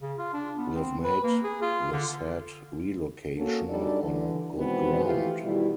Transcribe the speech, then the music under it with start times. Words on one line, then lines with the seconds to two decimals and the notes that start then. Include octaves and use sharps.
We have made the said relocation on good ground.
0.02 C#3
0.18 F4
0.33 D4
0.57 B3
0.76 C4
1.04 B4
1.24 A#3
1.44 G#4
1.62 F4
1.92 D3
3.37 A#3 C#4 F#4 A4
3.69 F#2 G3 D4 D#4 A4 D5
4.02 D3 E3
4.56 B2 D#3 E3 G#3 B3 C4
5.04 E3 F3 A3 E4 F4 G4
5.43 B2 D#3 G3 E4